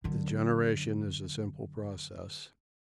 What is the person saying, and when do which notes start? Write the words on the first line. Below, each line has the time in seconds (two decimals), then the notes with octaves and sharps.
The generation is a simple process.
0.04 F#2 D3